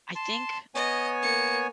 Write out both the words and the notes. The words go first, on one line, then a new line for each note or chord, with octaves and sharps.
I think
A5 C6
B3 C#5 D#5 G#5
A#3 C#7